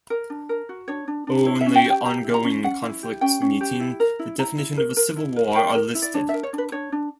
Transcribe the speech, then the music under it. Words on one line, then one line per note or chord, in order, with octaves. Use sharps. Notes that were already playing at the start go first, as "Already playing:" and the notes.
Only ongoing conflicts meeting the definition of a civil war are listed.
A#4
D4
A#4
F#4
D4 C#5
D4
D4
E4 C#5
E5
C#4
G5
G4 G5
G4 A#5
E4
A#5
C#4
C#4 F#5
E4
G4
C#4 G5
C#4
G4
E4
A#4
E4
E4 A#5
E4
A#4
A#4
E4
A#4
A#4 G5
A#4
E4
D5
D4 C#5
E5
A#4
C#5
D4
B4
D4 C#5
D4